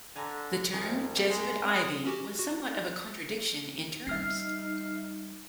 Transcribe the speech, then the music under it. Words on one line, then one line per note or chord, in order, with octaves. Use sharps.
The term "Jesuit Ivy" was somewhat of a contradiction in terms.
D3 G#5 A#5
C2 F2 G#4 G5
G#3
D#6
C#4 F#4 G4
F#4
G3 D#4 E5 F6 C7